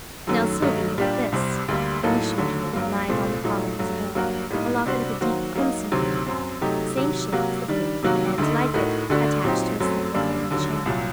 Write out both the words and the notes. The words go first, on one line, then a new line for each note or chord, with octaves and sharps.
"Now, Sylvie, look at this." And he showed her, lying on the palm of his hand, a Locket of a deep crimson colour, the same shape as the blue one and, like it, attached to a slender golden chain.
F#2 D#3 F#3 A3
G2 D#3 F#3 A3 D#4
A#2 G3 A#3 D4 G4
C2 C3 G3 C4
D2 D3 G3 A#3
A2 F#3 A#3 D#4 A4
D#2 D3 F#3 A3
G2 F#3 A#3
C2 A#2 A3 C4
A#2 F#3 A3 D#4
G2 F#3 A3
G2 F#3 A#3 F#4 A#4
A2 G3 A#3 D#4
C3 G3 D4 F#4 C5
D#3 F#3 A#3 F#4 C5
F#3 A#3 D#4
D2 C3 D#3 F#3 C4
F#2 F#3 C4
C3 F#3 A3 D#4 G4
C3 D#3 F#3
C3 F#3 A#3 F#4
D#3 G3 D4
C3 D#3 F#3 A#3 F#4
D2 D3 A3 D#4
A2 A3 D#4 F#4 A#4
D2 D3 A3 D4 F#4
A#2 F#3 C4 D#4 G4
F#2 F#3 A3 C4
F#2 D3 G3 A#3 D4
D#2 D3 F#3
C2 A#2 F#3